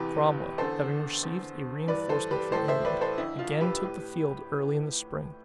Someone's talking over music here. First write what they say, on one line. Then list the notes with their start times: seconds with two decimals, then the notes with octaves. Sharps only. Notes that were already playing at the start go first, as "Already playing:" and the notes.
Cromwell, having received a reenforcement from England, again took the field early in the spring.
Already playing: E2 C3 E3 G4 B4
0.58 E2 D3 A4 C5
1.23 E2 D3
1.88 G2 E3 B4 D5
2.09 A4 C5
2.31 G4 B4
2.52 A2 E3 A4 C5
2.68 C5 E5
2.85 B4 D5
3.01 A4 C5
3.18 F2 D3 E4
3.39 F4
3.60 G4 B4
3.82 A2